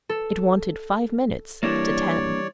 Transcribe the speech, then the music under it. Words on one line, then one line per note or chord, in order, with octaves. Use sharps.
It wanted five minutes to ten.
A4
E3 G3 A#3 D4 E4 A#4 C#5 D5